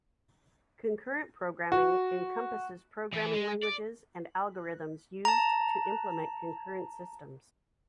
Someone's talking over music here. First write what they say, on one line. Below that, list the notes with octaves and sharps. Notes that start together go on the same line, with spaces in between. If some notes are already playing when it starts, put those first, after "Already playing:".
Concurrent programming encompasses programming languages and algorithms used to implement concurrent systems.
F#4
E3
G#3
D5
A5 A#5